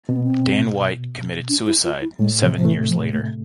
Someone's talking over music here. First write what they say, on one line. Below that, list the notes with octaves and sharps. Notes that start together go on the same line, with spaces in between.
Dan White committed suicide seven years later.
B2 C4
B3
C4
D4
E4
F4
E4
A2 G#3
C3 F3
F3
E3 A3
F3
A3